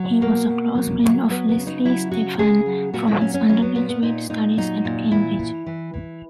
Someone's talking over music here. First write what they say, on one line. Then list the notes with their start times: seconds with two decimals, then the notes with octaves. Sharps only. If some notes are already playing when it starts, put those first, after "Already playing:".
He was a close friend of Leslie Stephen from his undergraduate studies at Cambridge.
Already playing: F#3
0.21 B2 A#3
0.49 B2
0.75 F#3
1.03 F#3
1.30 F#3 B3
1.49 B3
1.58 C#3
1.67 D#4
1.85 F#3 E4
2.12 C#3 F#4
2.39 C#3 G#4
2.66 F#3
2.94 A#2 F#4
3.08 E4
3.21 F#3 C#4
3.34 C#4
3.49 F#3 C#4
3.62 B3
3.75 A#2 B3
3.89 B3
4.03 A#2 D#4
4.30 A#2 D#4
4.57 F#3 D#4
4.85 A#2
5.11 E3 E4
5.39 E3
5.66 E3
5.94 E3